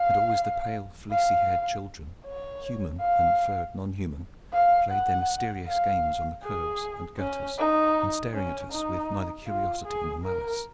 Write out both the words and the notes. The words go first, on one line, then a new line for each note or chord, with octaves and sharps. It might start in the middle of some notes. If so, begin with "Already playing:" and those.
And always the pale fleecy-haired children, human and furred nonhuman, played their mysterious games on the curbs and gutters and staring at us with neither curiosity nor malice.
Already playing: F5
F5
C#5
F5
F5
F#5
F5
G#4
C#4
D#4
C#4
D#4
F4
G#4
A#4